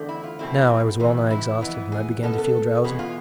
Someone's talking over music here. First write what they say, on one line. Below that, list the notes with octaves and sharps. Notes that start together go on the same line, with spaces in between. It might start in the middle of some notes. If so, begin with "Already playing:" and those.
Now I was well-nigh exhausted, and began to feel drowsy.
Already playing: E2 D3 A3 C4
E4
F4
E2 B2 A3 C4 E4
E2 C3 E3
E4
F2 E3 B3
G#4
B2 B3 A4
A4
E2 B2 B3 G#4
F4